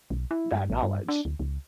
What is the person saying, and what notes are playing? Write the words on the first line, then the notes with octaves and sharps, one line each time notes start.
that knowledge.
B1
E4
G2
A1
G2
D4
D2
C#2